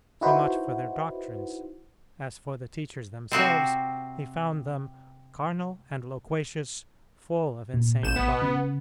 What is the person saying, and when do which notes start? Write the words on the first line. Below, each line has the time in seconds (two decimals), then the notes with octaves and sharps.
So much for their doctrines; as for the teachers themselves, he found them "carnal and loquacious, full of insane pride."
0.21 D#4 E4 F#4 B4 C5
3.32 C3 C4 F#4
7.74 A#2
8.03 A1 G6 E7
8.16 A1 B3
8.42 C#3